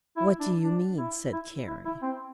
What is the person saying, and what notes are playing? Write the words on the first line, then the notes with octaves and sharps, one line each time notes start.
"What do you mean?" said Carrie.
E4
D4
D4
E4
E4
E4
E4
C4